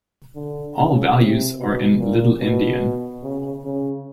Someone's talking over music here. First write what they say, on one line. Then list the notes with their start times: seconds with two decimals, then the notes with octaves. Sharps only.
All values are in little-endian.
0.35 D3
0.76 C#3
1.17 C3
1.58 B2
2.00 A#2
2.41 B2
3.23 C#3
3.65 C#3